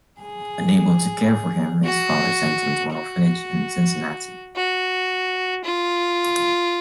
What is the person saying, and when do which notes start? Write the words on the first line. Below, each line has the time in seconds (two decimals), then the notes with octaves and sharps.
Unable to care for him, his father sent him to an orphanage in Cincinnati.
0.21 G#4
1.84 F#4
2.93 F#4
4.56 F#4
5.64 F4